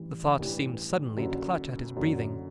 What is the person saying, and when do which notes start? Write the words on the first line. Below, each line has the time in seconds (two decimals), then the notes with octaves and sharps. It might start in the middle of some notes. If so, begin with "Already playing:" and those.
The thought seemed suddenly to clutch at his breathing.
Already playing: A1 G2 E3
0.39 A1 G2 E3
1.17 F#1 F#2 D3 F#3
1.96 F#1 F#2 D3 F#3